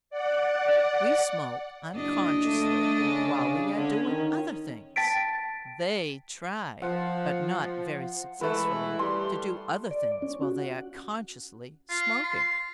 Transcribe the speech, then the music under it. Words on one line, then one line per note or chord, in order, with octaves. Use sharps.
We smoke unconsciously while we are doing other things; THEY try, but not very successfully, to do other things while they are consciously smoking.
D5 F#5
F#1 D4 D#5
A3
C#3
D3 C#4
D#3
G5 A5 A6 B6 D7
F3 F#5
E3 G#3 A3 E4 B4
G3 C6
D5
C#4
F#4
F#5
F4
C6